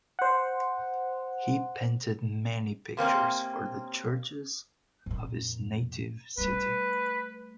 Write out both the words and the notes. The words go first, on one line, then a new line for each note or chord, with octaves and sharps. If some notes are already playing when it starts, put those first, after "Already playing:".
He painted many pictures for the churches of his native city.
C5 F#5
C3 A#3 C4 C#4
F2 A#2
G3 A3 B4